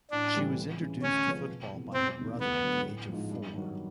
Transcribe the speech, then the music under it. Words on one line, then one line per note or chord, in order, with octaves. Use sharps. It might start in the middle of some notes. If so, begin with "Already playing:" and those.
She was introduced to football by her brother at the age of four.
A1 D4
A2 E3 G3 C4
C#2
C#3 E3
D2 C#4
C3 F3 G#3 B3
E1
E2 C3
E1 C4
E2 C3 D#3
D2 B3
D3 F#3
A1
G#2 F3
G2
D#3 F#3